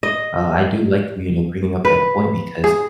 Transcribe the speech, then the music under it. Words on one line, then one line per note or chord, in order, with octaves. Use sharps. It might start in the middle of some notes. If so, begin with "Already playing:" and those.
uh, I do like you, you know, bringing up that point because
D#5
B4
G#4